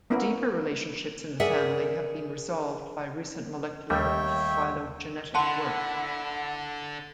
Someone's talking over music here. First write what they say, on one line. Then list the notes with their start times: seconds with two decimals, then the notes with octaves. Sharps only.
The deeper relationships in the family have been resolved by recent molecular phylogenetic work.
0.10 A#3 B3 C#4 E4 A#4
1.40 G#4 A#4 D5 E5 F#5 G#5
3.90 D#2 G3 A3 C#5 E5 G5
5.35 D3 D4 E4 F#5 A5 C6